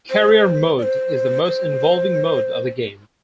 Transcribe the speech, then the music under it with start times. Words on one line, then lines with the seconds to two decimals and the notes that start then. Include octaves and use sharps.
Career Mode is the most involving mode of the game.
0.11 C5
0.78 D5
0.83 C5
1.46 C5